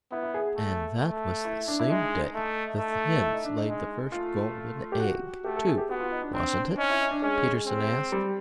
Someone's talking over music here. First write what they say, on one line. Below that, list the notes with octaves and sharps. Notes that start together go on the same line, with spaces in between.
"And that was the same day that the hens laid the first golden egg too, wasn't it?" Peterson asked.
B3 E4
E4
G#4
A3
A3
E4
D4
E4
G#3 D#4
A3
A3
E4
D#4
D4
D#4
G#3
A3 F4
G4
F#4
A3 G4
A4
G#4
G4
B3 F#4
F4
D#4
D4
C4
C#4 D#4
E4
D#4
D4
G#3 C#4
C4
G3